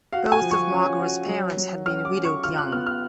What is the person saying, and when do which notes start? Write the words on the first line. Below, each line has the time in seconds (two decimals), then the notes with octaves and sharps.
Both of Margaret's parents had been widowed young.
0.13 F#4 F5
0.32 G#5
0.42 F3
0.51 C#6
0.70 C#4
0.99 F#4
1.28 F#3
1.57 F#3
1.86 C#4 F6
2.05 D6
2.14 C#4
2.24 C#6
2.43 F4 F6
2.58 F#6
2.72 B3 F6
2.86 F6